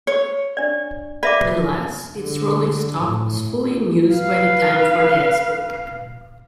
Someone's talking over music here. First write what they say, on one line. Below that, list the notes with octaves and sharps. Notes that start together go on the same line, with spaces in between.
Nevertheless, its rolling stock was fully in use by the time for the Expo.
C#5
D4 D5
B4 D5 E5 D6
D3
A2
B4 F5